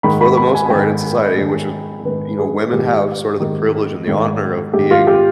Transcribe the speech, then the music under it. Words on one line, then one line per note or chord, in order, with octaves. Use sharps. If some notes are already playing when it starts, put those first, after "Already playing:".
for the most part in society, which is, uh w you know, women have sort of the privilege and the honor of being
G#2 D#3 B5
B5
B5
G#5
G#5
G#2 D#3 G5
G#2 D#3
G#2 D#3 B4
G#4
G#2 D#3 G4
G#2 D#3
G#2 D#3
G#2 D#3 G4
F4
G4